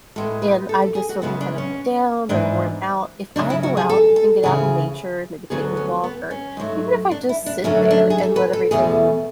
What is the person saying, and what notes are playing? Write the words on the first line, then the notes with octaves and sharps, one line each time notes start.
and I'm just feeling kind of down or worn out, if I go out, and get out in nature and maybe take a walk, or even if I just sit there, and let everything
A2 G#3 B3 A4
B4
A4
A4
G#4
F#4
F#2 C#3 G#3 B3 E4
D4
C#4
G#2 E3 B3 D4
F#2 C#3 F#3 D4
E4
F#4
G#4
A4
A4
D2 C#3 E3 G#4
D2 D3 F#3 B3 G#4
C#4
B3
C#4
G#2 F#3 A3
D4
E4
D4
F#2 D3 F#3 A3 C#4
D4
G#4
A4
B4
A4
E2 B2 A3 G#4